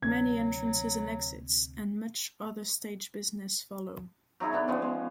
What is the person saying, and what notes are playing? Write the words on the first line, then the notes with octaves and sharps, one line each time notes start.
Many entrances and exits and much other stage business follow.
D2 C3 F#3 G#6
F#3 D#4 E4 G#4
D3 B3 D4
F3 B3 C#4
G#3